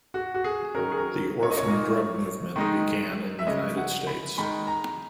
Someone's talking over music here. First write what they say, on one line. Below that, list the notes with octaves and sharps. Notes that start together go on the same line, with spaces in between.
The orphan drug movement began in the United States.
F#4
F#4
G#4
D#3 F#3 C#4 A#4
G#4
A#4
C#5
D#5
C#5
A#2 A#3 D#4
D#3 G#3 D#4
E5
C#3 G#3 C#4 D#5
F#5
B5
D#3 G#3 D#4 B5
A#5